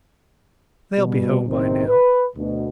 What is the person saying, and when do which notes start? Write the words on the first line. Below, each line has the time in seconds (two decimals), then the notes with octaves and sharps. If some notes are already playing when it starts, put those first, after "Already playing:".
They'll be home by now.
0.98 B2 G3
1.46 F#1 B1 C3 D#3 C4
1.88 B4
2.36 D2 B2